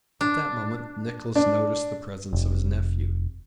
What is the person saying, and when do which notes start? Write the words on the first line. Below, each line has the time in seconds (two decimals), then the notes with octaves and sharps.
At that moment Nicholas noticed the presence of his nephew.
0.21 D4
1.36 D4
2.33 F1